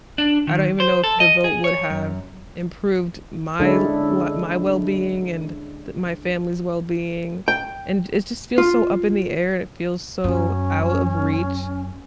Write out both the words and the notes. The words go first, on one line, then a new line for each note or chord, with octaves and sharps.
I don't even know if the vote would have improved my l my wellbeing and the my family's wellbeing. And it just feels so up in the air, it feels so out of reach,
D4
D#3
C5
A4
D#5
G#4
C#5
F#2
D3 G#3 C#4 D4 E4 A4
G5
F4
F#2 C#4